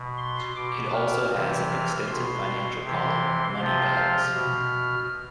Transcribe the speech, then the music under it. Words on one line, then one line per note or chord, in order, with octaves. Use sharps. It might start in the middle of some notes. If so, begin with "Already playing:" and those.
It also has an extensive financial column, "Moneybags".
Already playing: B2
C6
B2 D6
F6
C3 E3
F6
B2 C6
C3 E3
C3 F3 C6
F6
B2